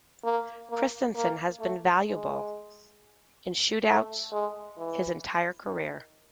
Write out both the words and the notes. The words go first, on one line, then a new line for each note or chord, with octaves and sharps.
Christensen has been valuable in shootouts his entire career.
A#3
A#3
A#3
A3
G#3
A3
G#3
E3
D#3